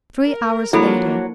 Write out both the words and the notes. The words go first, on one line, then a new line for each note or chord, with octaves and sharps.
Three hours later.
A#4
F3 F#3 A#3 D4 E4 A4 B5